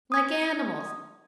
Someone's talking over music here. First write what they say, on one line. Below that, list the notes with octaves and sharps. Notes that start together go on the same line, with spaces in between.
Like animals!
D#6 G#6